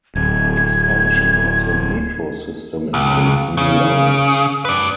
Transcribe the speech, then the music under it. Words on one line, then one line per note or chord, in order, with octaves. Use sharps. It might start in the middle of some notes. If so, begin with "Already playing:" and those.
Expansion of the metro system includes new lines.
D1 G#6
C#2
C#3
B4 D5